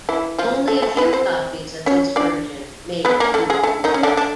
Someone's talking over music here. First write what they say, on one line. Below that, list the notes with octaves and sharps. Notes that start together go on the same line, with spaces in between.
Only a few copies of this version made it to the market.
E3 E4
F3 F4
A3 A4
A3 A4
B3 B4
C4 C5
C#4 C#5
D4 D5
B3 B4
A#3 A#4
A3 A4
G#3 G#4
A3 A4
D#3 D#4
C#4
D3 D4
D4